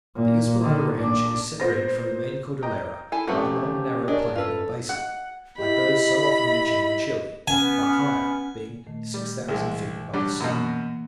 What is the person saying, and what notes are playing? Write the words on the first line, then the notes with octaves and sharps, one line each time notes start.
The Uspallata range is separated from the main Cordillera by a long narrow plain or basin, like those so often mentioned in Chile, but higher, being six thousand feet above the sea.
A#2
D3 D#3
A#2 D4
A#2 B3 C5 A6 A#6
D#5 G5 A#5
E4 A4 G#5
F2 F#3 A3 C4 C#4 G4 B4 F#5
D4 G#4 A#4 C#5 D#5
F#2 F4 A4 B4
F#5
E4 G4 D#5 B5
B3 C#4 G#5
A#2 D#3 A3
G3
C2 C3 E3 G#3
F#3 G3 D4
F#2 B2 E3 A#3